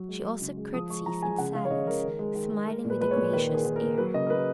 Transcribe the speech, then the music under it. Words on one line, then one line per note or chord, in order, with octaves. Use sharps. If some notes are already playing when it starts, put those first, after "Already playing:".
She also curtsies in silence, smiling with a gracious air.
Already playing: F#3
G#3
G#3
C#3
G#3
F3 D#6
G#3 C#6
F3 A#5
G#3 G#5
C#3 F#5
C#3 F5
C#5
C#3 D#5
G#3 A#4
D#3
G#3
D#3
G#3
G#3 A#4
A#2
B4
G#3 B4
C#5
A#2
D#3 B4
D#3
G#4
D#3
A#4
A#3
F#3 B4
C#3 D#5
A#4
A#3 B4